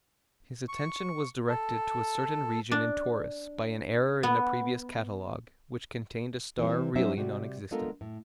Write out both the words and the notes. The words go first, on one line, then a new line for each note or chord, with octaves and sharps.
His attention was directed to a certain region in Taurus by an error in a previous catalogue, which contained a star really non-existent.
C#6
A4
D4
B3
E3 G3 C4
F#3 G3 C#4 D#4 C5 E5
C3 G3 F#4
G#3 B3 D4 F4 A4 A#4
A2